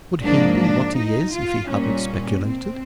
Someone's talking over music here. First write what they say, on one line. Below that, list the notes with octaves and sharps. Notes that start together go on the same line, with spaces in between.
Would he be what he is, if he hadn't speculated?'
G#2 F3 A#3 D4
D4
D#4
F4
A#2 G3 A#3 C#4
C4